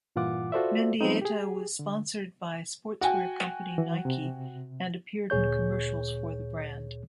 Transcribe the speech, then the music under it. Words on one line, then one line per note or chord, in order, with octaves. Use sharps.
Mendieta was sponsored by sportswear company Nike, and appeared in commercials for the brand.
G2 A#2 E3 F4 F#5 D6
F4 F#4 A4 C5 D5 E5
F3 G3 B3 C4 D#4
G4 G#4
D3
F#4 G5 G#5
E3
C3
D2 A#2 G#4 C#5 G6